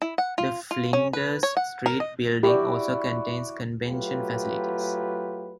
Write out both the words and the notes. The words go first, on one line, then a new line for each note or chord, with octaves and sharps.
The Flinders Street building also contains convention facilities.
E4
F#5
F4
F4
C#4
B4
C#5
F#5
A#4
D#5
E4 F#4 G4 D5
F#3 A3 F4 G4 B4